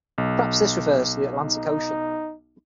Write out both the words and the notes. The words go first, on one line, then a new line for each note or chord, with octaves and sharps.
Perhaps this refers to the Atlantic Ocean.
B1
D#4